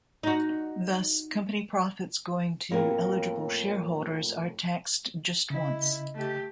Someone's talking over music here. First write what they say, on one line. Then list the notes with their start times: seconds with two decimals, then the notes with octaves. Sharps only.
Thus company profits going to eligible shareholders are taxed just once.
0.23 D#4 F#4
2.71 F2 A2 A#3 C#4
5.50 C#3 E4 D#5
6.15 A3 G4